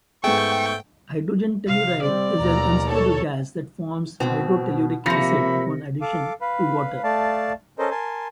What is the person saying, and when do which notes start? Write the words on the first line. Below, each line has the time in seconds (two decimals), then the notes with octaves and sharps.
Hydrogen telluride is an unstable gas that forms hydrotelluric acid upon addition to water.
0.24 G#2 A3 B3 G#4 G5 C#6
1.67 C3 F5
2.02 G3 C4 D5
2.42 D#2 B2 A#5
2.89 A4 C#5
4.20 G#2 B2 C4
5.06 C3 F3 A#3 E5 B5 A#6 C#7
6.01 A4 F5 D6
6.41 B4 F5 B5
7.04 A3 D5 F5 A5
7.79 C#4 A4 A#4 C5 D#5
7.91 A#4 G#5 A5 C6